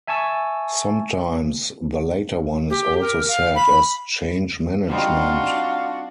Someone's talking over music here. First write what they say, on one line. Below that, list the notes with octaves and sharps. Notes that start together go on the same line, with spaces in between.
Sometimes, the later one is also said as change management.
E5 G#5 A5 C#6 E6
G4
A#4
F5
B5
G3 C4 D4 D#4 F4 F#4